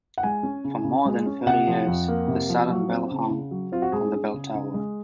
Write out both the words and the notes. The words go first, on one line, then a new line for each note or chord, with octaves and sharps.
For more than thirty years, the silent bell hung on the bell tower.
F#5
G#3 G#5
C#4
C#3
C#3
G#3
C#4
C3 F#5
F3
F2
A#3
C3
F3
F#3
C4
C#3
C#3
F#3
C4 F4
F#4
G#3 G#4
C#4
C#3
C#3
G#3